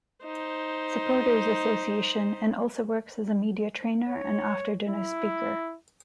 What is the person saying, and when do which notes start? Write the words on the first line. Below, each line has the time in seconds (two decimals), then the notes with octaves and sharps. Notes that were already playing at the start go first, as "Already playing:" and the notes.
Supporters' Association and also works as a media-trainer and after-dinner speaker.
0.24 D#4 C5
4.08 C#5
4.89 E4